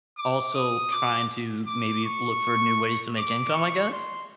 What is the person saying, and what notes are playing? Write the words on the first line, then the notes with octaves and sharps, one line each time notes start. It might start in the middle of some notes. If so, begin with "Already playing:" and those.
also trying to maybe look for new ways to make income, I guess?
D6
D#6
D6
D6
C#6
D6
C#6
C6